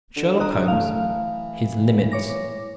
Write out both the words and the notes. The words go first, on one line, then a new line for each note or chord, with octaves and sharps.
SHERLOCK HOLMES--his limits.
D3 E7
A#5 D#6 F#6
E3 A3 F5
C#5 D6 A#6